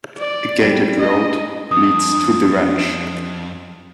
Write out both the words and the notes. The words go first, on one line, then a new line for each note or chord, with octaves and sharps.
A gated road leads to the ranch.
D5
G3
D#5
F2 D#6